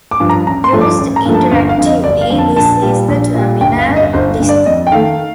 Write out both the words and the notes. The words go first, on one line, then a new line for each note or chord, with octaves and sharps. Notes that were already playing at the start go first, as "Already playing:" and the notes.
Used interactively, this is the terminal display.
D6
G2 F3
A#5
A1 A#5
C6
G2 F3 A3
D6
A1
A#5
G2 F3 A3
A5
G1 F5
F5
F2 D3
D#5
G1 D5
F5
F2 D3
A5
A#1 A5
A#2 G3
A#1
A#2 G3
G1 G5
F5
G2 D3
D#5
G1 C5
G2 D3
D5
F2 D#5
G5
D#3 A3 F5